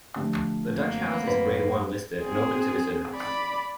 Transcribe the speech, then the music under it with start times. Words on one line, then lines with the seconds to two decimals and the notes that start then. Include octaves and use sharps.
The Dutch House is Grade One listed, and open to visitors.
0.16 D3 F3 A3 G4
0.76 F#2 F#3 A#3 C4
1.28 B4
2.17 C4 G#4
3.15 D5 B5